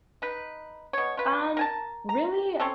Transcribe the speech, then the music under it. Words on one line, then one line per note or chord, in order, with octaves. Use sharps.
Um, really?
D#4 B4
B2 C#5
F4 B4
A#4 G#5 A5
A#5
C4 C#4 A4